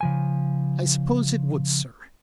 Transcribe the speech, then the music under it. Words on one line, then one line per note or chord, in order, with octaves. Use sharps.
'I suppose it would, sir.
C#3 F3 G#5